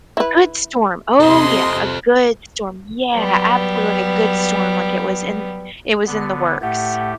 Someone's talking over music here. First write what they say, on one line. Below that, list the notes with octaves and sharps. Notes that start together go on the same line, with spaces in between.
A good storm. Oh, yeah, a good storm. Yeah, absolutely, like, a good storm. Like, it was in it was in the works.
E4 B4
C3 A4 C5 D#5 C6
F#3 G3 B3
D3 B3
A2 A3 G4 F#5